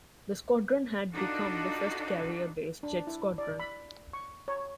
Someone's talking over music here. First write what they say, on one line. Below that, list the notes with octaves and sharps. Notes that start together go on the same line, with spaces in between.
The squadron had become the first carrier-based jet squadron.
D4 D#4 F4 F#4 A4
D4
E4
D5
B5
C#6
C#5